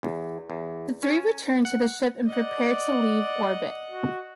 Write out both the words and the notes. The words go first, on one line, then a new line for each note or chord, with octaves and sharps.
The three return to the ship and prepare to leave orbit.
E2
E2
C#4
F#5
D5 D#5 F#5
F#4